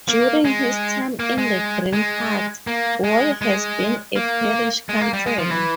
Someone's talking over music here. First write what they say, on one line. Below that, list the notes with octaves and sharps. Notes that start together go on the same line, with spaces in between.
During his time in the Green Party, Wall has been a Parish Councillor.
A#3
G#3
A#3
G#3
G#3
A#3
G#3
G#3
A#3
G#3
A#3
G3
G#3
F3
E3